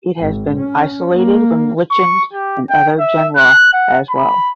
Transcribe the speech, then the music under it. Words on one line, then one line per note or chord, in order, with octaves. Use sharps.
It has been isolated from lichens in other genera as well.
G#1
C#4
A#3
C#6
G4
G5
E5
F#6
F#5
B5